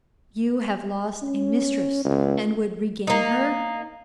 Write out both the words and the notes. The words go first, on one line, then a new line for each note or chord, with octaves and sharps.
"You have lost a mistress, and would regain her?"
C#4
C#2
A#3 D#4